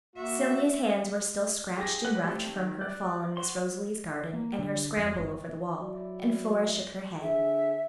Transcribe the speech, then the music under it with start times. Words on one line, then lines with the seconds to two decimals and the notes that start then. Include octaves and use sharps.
Sylvia's hands were still scratched and roughed from her fall in Miss Rosalie's garden and her scramble over the wall, and Flora shook her head.
0.16 A#3 F#4 E5
1.76 G4 G#4 A#6
2.05 B4 F#5 F#6
2.23 G3 A3 C4 A4
2.49 D#3
2.81 D5 F#6
3.37 F#4 C6
4.33 A#3
4.59 D3
4.97 F2
5.15 G1
5.80 F#3 E4 D5
7.22 D3 G#4 E5